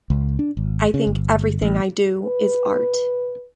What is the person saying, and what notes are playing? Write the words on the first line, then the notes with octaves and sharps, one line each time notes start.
I think everything I do is art.
C#2
D4
G#1
C#3
G1
A1
B4